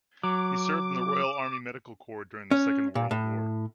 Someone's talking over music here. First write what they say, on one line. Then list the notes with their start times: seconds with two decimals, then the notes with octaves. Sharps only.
He served in the Royal Army Medical Corps during the Second World War.
0.23 F#3 D6
2.51 C#4
2.95 A#2
3.11 A2